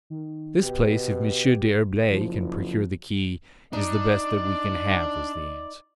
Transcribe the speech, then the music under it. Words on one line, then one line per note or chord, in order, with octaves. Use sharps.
"This place, if Monsieur d'Herblay can procure the key, is the best that we can have," was the answer.
D#3
B2 G4
F#1 F3
D4 D#4 D5